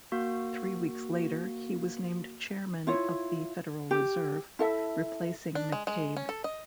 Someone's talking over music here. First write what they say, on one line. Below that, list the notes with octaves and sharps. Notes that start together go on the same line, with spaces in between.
Three weeks later, he was named Chairman of the Federal Reserve, replacing McCabe.
A#3 F#4
E4 F4 C#5
G4
E4 A4 E5
D4
G#3
G#3
C#4
A4
D#5